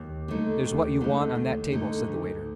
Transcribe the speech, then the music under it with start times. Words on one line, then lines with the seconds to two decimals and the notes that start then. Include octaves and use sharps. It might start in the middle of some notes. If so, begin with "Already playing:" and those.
"There's what you want on that table," said the waiter.
Already playing: D#2
0.28 D3 A3 D#4
0.65 D#2
1.01 D3 A3 D#4
1.35 D#2
1.72 D3 A3 D#4
2.07 D2